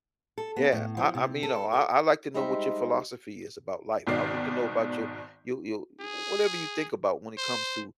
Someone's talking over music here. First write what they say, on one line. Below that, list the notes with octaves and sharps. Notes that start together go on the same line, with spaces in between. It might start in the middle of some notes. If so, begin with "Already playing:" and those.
Yeah, I I mean, y'know, I I like to know what your philosophy is about life, I want to know about you you you, w whatever you think about when it comes to
A4
B3
A2
F3
C3
A4
F#4
G3 G#3 D#4 G4 C5 E5
G#1 B2 D#3 D5 C7
G#4
C5